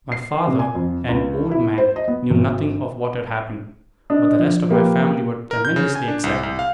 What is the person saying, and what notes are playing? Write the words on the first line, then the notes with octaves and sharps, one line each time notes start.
My father, an old man, knew nothing of what had happened, but the rest of my family were tremendously excited.
C7
C3
G#5
F2
C#2
E4
C5
D#5
B3
G#1
D4 D#5
F3
A#3 G4 B4
A#4
G6
C#3
G#5
D4
C2
C2
F5